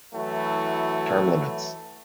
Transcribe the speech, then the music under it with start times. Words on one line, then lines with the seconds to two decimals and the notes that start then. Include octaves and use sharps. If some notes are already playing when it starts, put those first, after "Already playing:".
Term Limits.
0.14 E3 F#3 A3 E4 F#4